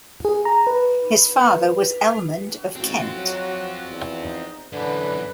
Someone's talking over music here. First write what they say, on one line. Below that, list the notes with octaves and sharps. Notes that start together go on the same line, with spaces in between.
His father was Ealhmund of Kent.
G#4
A#5
B4
A1 C4 F4 F#4
F#3
E2
D#4
F#2 D3 E3 B4